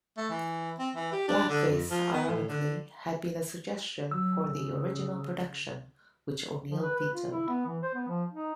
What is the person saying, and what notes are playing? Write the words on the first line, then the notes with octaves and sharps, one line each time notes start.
Blackface, ironically, had been a suggestion for the original production, which O'Neill vetoed.
A3
E3
C4
E3
G4
D4
D3
F2
F3
B3
A2
D3
F#3 E6
C#3
F3
B4
B4
F4
E4
B3
E3
C5
B3
F3
D#4